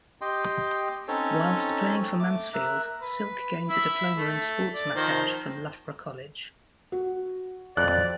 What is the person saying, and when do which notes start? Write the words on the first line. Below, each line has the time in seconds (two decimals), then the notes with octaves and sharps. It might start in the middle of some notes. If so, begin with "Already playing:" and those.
Whilst playing for Mansfield, Silk gained a diploma in sports massage from Loughborough College.
0.21 G4 D#5 G5 C6
1.08 C4 C#4 D#4 A4 C#5
2.20 A3 D6
2.54 A#4 E5 F#6
3.02 B4
3.69 E4 E5
4.17 A3
4.74 D5
4.95 D#3 F3 C5
6.92 F#4
7.77 F2 D5 F#6